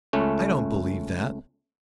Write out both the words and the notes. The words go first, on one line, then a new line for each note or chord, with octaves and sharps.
"I don't believe that."
C#2 A3 C#4